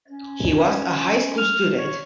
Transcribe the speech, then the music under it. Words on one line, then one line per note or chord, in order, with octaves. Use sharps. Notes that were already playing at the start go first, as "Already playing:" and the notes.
He was a high school student.
C#4
F6
C#5